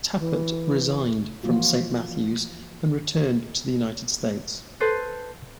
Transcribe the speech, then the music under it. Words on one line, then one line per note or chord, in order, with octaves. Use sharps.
Tappert resigned from Saint Matthew's and returned to the United States.
E3
E3 F3 A#3 F4 F#4
A4 B4 C5